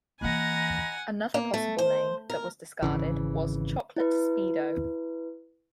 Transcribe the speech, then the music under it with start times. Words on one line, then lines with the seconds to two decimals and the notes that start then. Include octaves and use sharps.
Another possible name that was discarded was Chocolate Speedo.
0.21 E3 A#3 D#5 F#5 G#5 A#5 B5
1.34 A#3
1.54 A3
1.79 C5
2.30 A#4
2.82 G#1 C#3 E3
3.96 E4 B4